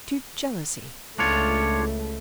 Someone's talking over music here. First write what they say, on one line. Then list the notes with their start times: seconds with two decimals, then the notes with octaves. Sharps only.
"To jealousy?"
1.19 C#2 A3 D4 F4 C#5